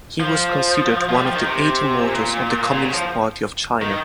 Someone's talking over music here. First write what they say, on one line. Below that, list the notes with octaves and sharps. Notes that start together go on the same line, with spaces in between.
He was considered one of the Eight Immortals of the Communist Party of China.
F3
F3
G3
F3
D#3
C3
A#2
A#2
C#3
F3
D#3